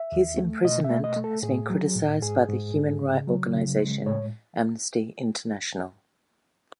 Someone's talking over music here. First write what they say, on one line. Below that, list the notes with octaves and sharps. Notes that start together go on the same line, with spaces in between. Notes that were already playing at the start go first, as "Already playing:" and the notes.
His imprisonment has been criticized by the human right organisation Amnesty International.
Already playing: E5
D#2
A3
B2 D#5
E5
A3
D#5
A3
A4
A2 G#4
F#3
A2
G#2 G#4
G#2
G#2
C#3
F#3
C#3
G#3
A2 C#5